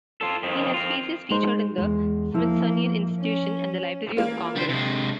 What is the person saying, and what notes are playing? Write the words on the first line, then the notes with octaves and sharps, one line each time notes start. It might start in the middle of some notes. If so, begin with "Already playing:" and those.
He has pieces featured in the Smithsonian Institution and the Library of Congress.
F4 A4
F2 D#3
C4 F4
G#3 D#4 C5
E2 G#3
F3 A#3 E4
C#4
E3 A#3 F4
D3 G3 C5
C3 G#3